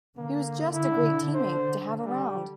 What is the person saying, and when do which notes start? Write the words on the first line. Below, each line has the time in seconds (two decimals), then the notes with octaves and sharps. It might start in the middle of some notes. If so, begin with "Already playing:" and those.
He was just a great teammate to have around.
0.18 D3 A#3
0.73 E4
1.34 C5
2.05 G3